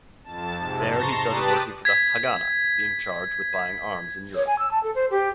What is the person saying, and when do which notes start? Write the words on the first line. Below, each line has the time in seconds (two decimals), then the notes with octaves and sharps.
There he started working for the Haganah, being charged with buying arms in Europe.
0.24 F2 A5
0.58 G#2 C3
0.87 A5 A#5 C6 C#6 A#6
1.26 G4 B4 D5 A5 D6 D#6
1.85 G#6 B6
4.35 C#5
4.47 G#5
4.59 E6
4.71 A5
4.83 A4
4.95 C5
5.11 G4